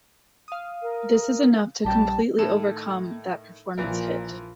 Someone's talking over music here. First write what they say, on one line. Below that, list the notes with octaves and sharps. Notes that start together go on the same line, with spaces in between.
This is enough to completely overcome that performance hit.
F5 D#6
A#4
A#1 G3 G4 A5
A2 D#3 A4 A5
A#1 A#2 E3 F3 A#4